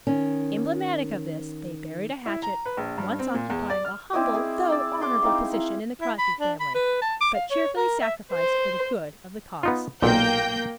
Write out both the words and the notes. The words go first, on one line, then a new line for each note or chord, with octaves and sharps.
Emblematic of this they buried a hatchet, once occupying a humble though honorable position in the Crosby family, but cheerfully sacrificed for the good of the cause.
D#3 C#4
E4
A#5
B4
A#1
G2
C4
A#2
E2
D5
F6
C4 E4 D5 D#5
G#4
D5 E6
C6 D6
C4 D#4 E4 F5
E4
E4
B5
D4
B5
B4
A5
D6
F5
C#5
A#4
E5
C5
B3 D#4 F4
B1 A#2 A#3 G5 G6